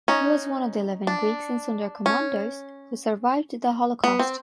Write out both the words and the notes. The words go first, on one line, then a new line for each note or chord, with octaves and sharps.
He was one of eleven Greeks in sonderkommandos who survived the holocaust.
C#4 D#4
D4
C#4
B3
C4